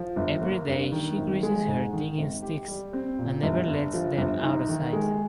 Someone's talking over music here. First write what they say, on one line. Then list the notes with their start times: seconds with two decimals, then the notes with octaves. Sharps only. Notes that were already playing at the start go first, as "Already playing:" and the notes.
Every day she greases her digging-sticks and never lets them out of sight.
Already playing: F3
0.16 G1
0.42 A#3
0.67 G2
0.92 D#3
1.18 G#1
1.43 G#3
1.68 G#2
1.93 D#3
2.18 G#1
2.42 G4
2.68 G3
2.93 C4
3.19 A#2
3.43 G1
3.68 G2
3.94 F3
4.18 G1
4.44 D#4
4.69 D#3
4.93 G#3